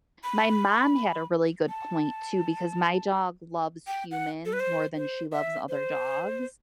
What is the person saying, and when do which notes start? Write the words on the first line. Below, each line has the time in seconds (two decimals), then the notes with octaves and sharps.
My mom had a really good point too because my dog loves humans more than she loves other dogs,
0.24 B5
1.69 A5
3.87 G5
4.11 F#5
4.45 A4
4.53 B4
4.60 C5
4.96 C5
5.32 E5
5.69 C5